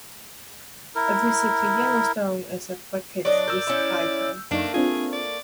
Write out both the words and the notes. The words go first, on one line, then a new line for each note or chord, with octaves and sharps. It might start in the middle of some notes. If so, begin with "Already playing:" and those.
A visit to Yellowstone is a bucket list item.
E4 A#4
F#3 D4 D5 D#5
A#4 E6 G6
C#4 E4
F#2 A3 A#3 D4 D#4
C4 D4 F4 G#4
D5